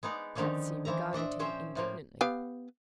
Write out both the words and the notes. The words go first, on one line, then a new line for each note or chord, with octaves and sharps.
Patsy regarded him indignantly.
G#3 B3 D#4 D5
D3 D#3 F3 C#4 D4
E3 F3 E5 A#5
A#2 D4 D#5 E5
F3 C#4 C5 E5 G5
A2 F3 A#3
B3 G4 F5